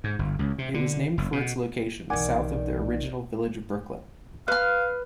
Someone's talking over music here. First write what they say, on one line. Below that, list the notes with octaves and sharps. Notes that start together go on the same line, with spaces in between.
It was named for its location, south of the original Village of Brooklyn.
G#2
G1
C#2
C3
D3
F#1
B2
B1 D#3 E3 D5 F#5 G#5 D6
B4 F5 F6